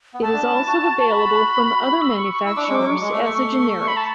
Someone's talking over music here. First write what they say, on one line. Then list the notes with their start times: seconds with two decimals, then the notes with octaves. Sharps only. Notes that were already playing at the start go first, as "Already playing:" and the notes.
It is also available from other manufacturers as a generic.
0.14 B3
0.22 A3 A5
0.33 D4
0.44 C#4
0.55 E4
0.67 F#4
0.82 F#4
1.11 B5
2.02 E6
2.16 C#6
2.30 C#6
2.45 E4 E6
2.56 D4 D6
2.65 G#3 C#6
2.75 F#3 D6
2.90 C#6
3.01 G#3
3.12 A3
3.24 A3
3.79 C#6
3.88 B5
3.97 A5